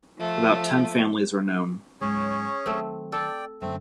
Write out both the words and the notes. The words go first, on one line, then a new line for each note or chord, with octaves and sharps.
About ten families are known.
F3 A3
G#2 F#3 C#4 G#4 C#5
D#3 F#3 A3 C4
A4 D5 G5
F#2 D3 A3 C4